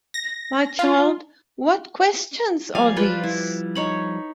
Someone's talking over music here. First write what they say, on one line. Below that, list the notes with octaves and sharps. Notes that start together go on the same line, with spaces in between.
My child, what questions are these!
A#6
F4
F3 G3 D5 F5 G#5
F4 B4 G5
E4
D#4 C#5 B5